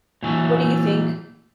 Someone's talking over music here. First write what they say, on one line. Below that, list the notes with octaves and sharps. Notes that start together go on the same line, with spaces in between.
What do you think?
A#2 E3 F#3 A3